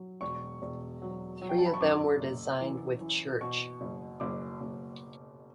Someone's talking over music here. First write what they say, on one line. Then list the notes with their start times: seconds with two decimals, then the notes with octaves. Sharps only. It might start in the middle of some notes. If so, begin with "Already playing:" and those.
Three of them were designed with Church.
Already playing: F#3
0.21 E1 C#6
0.62 E1
1.02 F#3
1.42 F#3
1.49 G5
1.58 A5
1.65 B5
1.74 C#6
1.80 F#2 D6
2.20 F#1
2.61 E3
3.01 E3
3.41 B2 C#6
3.81 F#1
4.20 F#1 D6
4.61 F#1